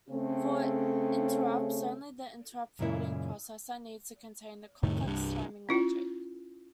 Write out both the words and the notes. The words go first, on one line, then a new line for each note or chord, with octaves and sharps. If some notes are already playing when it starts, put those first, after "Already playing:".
For interrupts, only the "interrupt-fielding processor" needs to contain the complex timing logic.
C#3 A3 C4
F#2 A#2 C#3 G#3 E4
F2 A2 C3 D#3
C2 G2
C#4 E4 F4